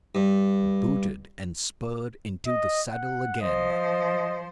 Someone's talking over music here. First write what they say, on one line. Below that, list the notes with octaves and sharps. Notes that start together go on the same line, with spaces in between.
Booted and spurred, into the saddle again!
G2
D#5
F#5
F3 C5 D#5
D#5